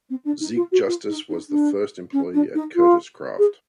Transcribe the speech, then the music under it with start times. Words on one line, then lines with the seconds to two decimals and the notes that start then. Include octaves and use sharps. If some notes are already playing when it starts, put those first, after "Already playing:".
Zeke Justice was the first employee at Kurtis-Kraft.
0.09 C4
0.24 D4
0.40 D#4
0.56 F4
0.71 F#4
0.87 F4
1.08 D#4
1.29 D#4
1.49 D4
2.12 C#4
2.33 D4
2.54 D#4
2.75 F4
3.38 G#4